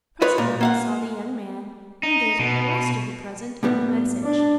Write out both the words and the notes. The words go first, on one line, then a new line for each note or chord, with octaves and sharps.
Presently he saw the young man, and gave him the rest of the present and the message.
F4 B4 C#5 D#5
A#2
A#3 F5 F#5
D#4
B2
A2 G3 B3
D4